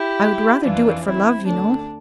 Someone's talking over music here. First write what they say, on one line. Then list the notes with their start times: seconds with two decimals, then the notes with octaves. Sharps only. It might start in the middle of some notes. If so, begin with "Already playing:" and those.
"I would rather do it for love, you know."
Already playing: E4 G4
0.63 F2 E3 D4 F4
1.05 C4 E4
1.46 D2 D3 D4